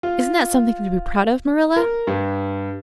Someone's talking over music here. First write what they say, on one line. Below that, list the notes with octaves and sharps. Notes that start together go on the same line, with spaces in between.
Isn't that something to be proud of, Marilla?
F4
A#4
G2